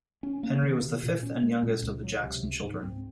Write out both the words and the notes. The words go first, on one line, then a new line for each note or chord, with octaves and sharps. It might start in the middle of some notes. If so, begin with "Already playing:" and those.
Henry was the fifth and youngest of the Jackson children.
C#4
A#3
D#3
C3
A#2
C#4
G#3
A#2
C#2
F#3
C3
C#2
G#2
C4